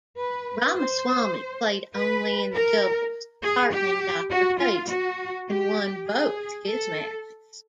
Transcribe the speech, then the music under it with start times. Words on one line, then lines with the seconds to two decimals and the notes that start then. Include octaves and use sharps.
Ramaswami played only in the doubles partnering Doctor Fayzee and won both his matches.
0.18 B4
0.77 C5
1.95 B4
2.53 A#4
3.42 G#4
3.72 G4
4.30 F#4
4.60 F4
4.89 F#4
5.49 G4
6.07 G#4
6.66 A4